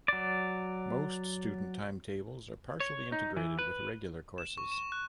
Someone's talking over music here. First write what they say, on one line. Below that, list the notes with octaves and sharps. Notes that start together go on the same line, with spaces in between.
Most student timetables are partially integrated with regular courses.
F#3 D5
C#5
D#4
E3
B4
E7
C#6
E7
F#6